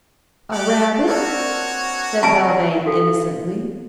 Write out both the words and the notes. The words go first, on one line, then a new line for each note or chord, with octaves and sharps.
"A rabbit?" said Belvane innocently.
G4 D5 F#5
A#3 C4 D4 F#4 C#5
F#3 G3 G#5 A5
F#4 A4 F5 G5